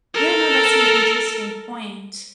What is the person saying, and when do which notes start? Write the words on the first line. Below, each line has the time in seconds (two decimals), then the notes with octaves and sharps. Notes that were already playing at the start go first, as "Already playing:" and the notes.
Yeah, no, that's an interesting point.
0.14 A4 A#4